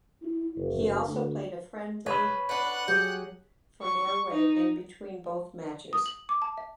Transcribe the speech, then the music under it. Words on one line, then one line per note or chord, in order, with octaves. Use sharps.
He also played a friendly for Norway in between both matches.
E4
F#1
D2
B4 C#5 B5
D4 B4 F#5
F#3 G4 G#4 G5
C#6
D#4
D#6
F#7
D6
A5
E5